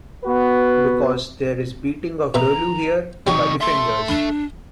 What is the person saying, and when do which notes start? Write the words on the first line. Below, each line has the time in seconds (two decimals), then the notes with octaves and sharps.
Because there is beating of Dollu here by the fingers.
0.24 B3 F#4 B4
2.34 B2 B4 E5 A#5
3.27 C3 D#3 F#3 G3 C#6
3.61 A4 E5 C6
4.08 D4 B5